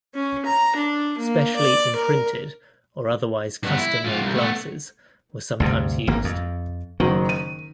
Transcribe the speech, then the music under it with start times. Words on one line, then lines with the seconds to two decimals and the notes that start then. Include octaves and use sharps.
Specially imprinted or otherwise custom-made glasses were sometimes used.
0.15 C#4
0.45 A#5
0.76 D4
1.19 A#3
1.56 D5
1.96 A#4
3.63 G2 B3
3.78 E4
4.04 G#2 F4
4.22 C2
4.34 A3 B3
5.60 D2 G2 C3
6.07 G#1 A#3
6.24 F2
7.00 F#1 D#3 F#3
7.29 D#7